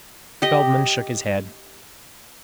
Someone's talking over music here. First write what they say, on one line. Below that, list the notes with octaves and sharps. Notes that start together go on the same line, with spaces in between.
Feldman shook his head.
G4 D#5